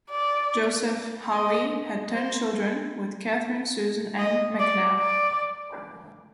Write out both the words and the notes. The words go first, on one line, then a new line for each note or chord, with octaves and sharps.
Joseph Howe had ten children with Catherine Susan Ann McNab.
D5
D#5
C5
D#5
D5
D5